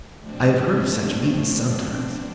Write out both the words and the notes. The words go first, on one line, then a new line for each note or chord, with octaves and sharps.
I have heard of such means sometimes.
B2 F3 A3 C4 D4